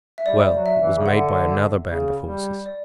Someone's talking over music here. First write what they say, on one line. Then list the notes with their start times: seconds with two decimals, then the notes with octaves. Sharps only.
"Well, it was made by another band of horses."
0.18 E5
0.25 G3 D5
0.53 F#3
0.66 E5
0.79 E3
0.95 C#3
1.06 D3 F#5
1.86 C#3
2.25 G3
2.66 D5